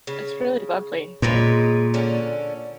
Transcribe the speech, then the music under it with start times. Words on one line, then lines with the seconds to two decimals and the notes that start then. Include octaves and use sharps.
It's really lovely, right?
0.07 C#3
1.22 A#2 G#3 B4 C#5
1.94 D3 C#4